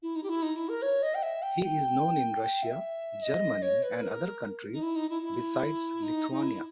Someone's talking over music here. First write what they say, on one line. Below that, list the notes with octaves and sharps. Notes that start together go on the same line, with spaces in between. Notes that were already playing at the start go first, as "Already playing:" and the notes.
He is known in Russia, Germany, and other countries besides Lithuania.
E4
D#4
G4
E4
D#4
E4
A#4
C#5
D#5
G5
E5
G5
G5
G5
E5
D#5
C#5
B4
A#4
D#4
E4
D#4
E4
E4
D#4
D#4
E4